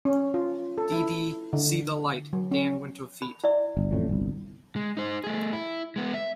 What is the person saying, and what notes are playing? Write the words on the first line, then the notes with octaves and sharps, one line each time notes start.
Dee Dee "See The Light," Dan Winter feat.
C#4
F4
A4
E4
D3
F#3
C#4
B5
E4 D5 E5
G1
A1 F2 A2
G1 C2
G#3
D#4 C5
A3 G#4
E4
G#3 B3
E5